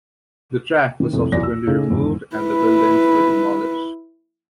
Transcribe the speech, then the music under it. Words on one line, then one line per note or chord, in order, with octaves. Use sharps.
The track was subsequently removed and the buildings were demolished.
D#3
F2 A2 C3
B1 E2 D5 A#6
E6
C#3 D#4 G#4 A4
E2 G#2
E4 B4